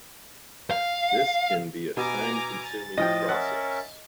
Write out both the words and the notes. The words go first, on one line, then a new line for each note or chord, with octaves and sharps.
This can be a time-consuming process.
F5
B2 G#5 A#5 D6
A6
A2 F3 D#5 G5
C#4 A#4 E5 F#5